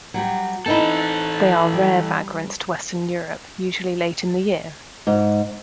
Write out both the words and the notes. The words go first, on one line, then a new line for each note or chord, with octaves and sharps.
They are rare vagrants to western Europe, usually late in the year.
F#3 G3 G4
E3 C4 D#4 E4 A4
G3
G#2